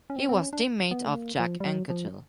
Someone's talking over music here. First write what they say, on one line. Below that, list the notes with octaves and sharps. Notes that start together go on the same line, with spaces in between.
He was teammate of Jacques Anquetil.
C#4
C4
C4
C#4
D4
B3
A3
A#3
F3
G3
F#3
F3